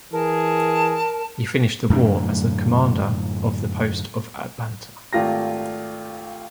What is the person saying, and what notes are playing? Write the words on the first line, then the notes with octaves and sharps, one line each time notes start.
He finished the war as the commander of the Post of Atlanta.
E3 G#4 A#4 A5
F#2 A2 D3 D4
G#1 A3 F4 G4 A#6